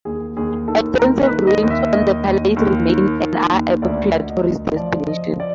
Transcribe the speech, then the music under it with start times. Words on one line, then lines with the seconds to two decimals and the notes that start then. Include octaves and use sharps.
Extensive ruins of the palace remain, and are a popular tourist destination.
0.05 D#2 G#4
0.37 D#2 G#4
0.68 D#3 A4
0.99 D#2 A#4
1.23 B4
1.31 D#3
1.47 D#5
1.62 D#2
1.70 E5
1.93 D#2 D#5
2.25 D#2
2.57 D#2
2.88 D#3
3.19 D#3
3.51 D#2
3.82 D2 D5
4.14 D2
4.29 D#5
4.45 D2
4.76 F3 D5
5.08 F3 D#5
5.40 D5